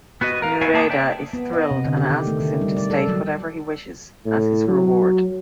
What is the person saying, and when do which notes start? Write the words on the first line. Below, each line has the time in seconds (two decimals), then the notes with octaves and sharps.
Nouredda is thrilled and asks him to state whatever he wishes as his reward.
0.21 B3 F#4 B4 D#5
0.42 A#4 F5
0.61 B3 E4 C#5 F5 G#5
0.74 A#3 G#4 A5 D6 D#6
0.90 C5 D5 E5 G5
1.33 B3
1.53 D#5
1.71 C3
1.85 D3
1.97 G4
2.09 D#3
2.27 A3
2.41 D#3
2.61 G3
2.76 D5
2.90 A4
3.08 F#3
4.26 A2
4.68 F#3